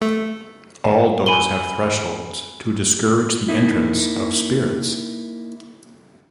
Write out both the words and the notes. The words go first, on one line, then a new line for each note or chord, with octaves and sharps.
All doors have thresholds to discourage the entrance of spirits.
A3
G#5 B5 D#7 F#7 G7
A#3 D#4 E4